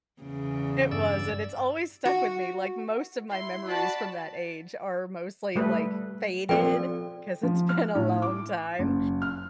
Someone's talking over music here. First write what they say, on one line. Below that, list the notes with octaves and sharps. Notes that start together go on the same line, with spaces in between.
It was and it's always stuck with me, like most of my memories from that age are mostly like faded, 'cause it's been a long time.
E2 C#3
G2 D5 E6
F#4
E4 C6
F#4 D5 A5 B5
G3 A3 B4
F3 C4 A4 D5 G5
F3
F6
A2
D6
F#1
F6